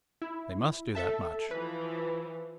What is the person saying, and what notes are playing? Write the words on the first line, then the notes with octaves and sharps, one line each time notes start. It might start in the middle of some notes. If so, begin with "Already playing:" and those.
They must do that much.
E4
A4 E5 A5
E3 F3 B4